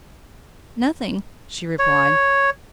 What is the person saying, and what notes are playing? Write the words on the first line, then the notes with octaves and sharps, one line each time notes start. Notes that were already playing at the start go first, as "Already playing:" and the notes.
"Nothing," she replied.
C#5